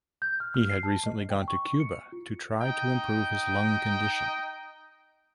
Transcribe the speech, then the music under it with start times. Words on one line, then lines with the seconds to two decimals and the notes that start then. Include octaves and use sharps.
He had recently gone to Cuba to try to improve his lung condition.
0.22 G6
0.40 F6
0.54 F6
0.69 C7
0.83 A5
1.06 D#5
1.30 G5
1.48 C#6
1.80 C#7
2.12 F4
2.61 D#4 D#5 G5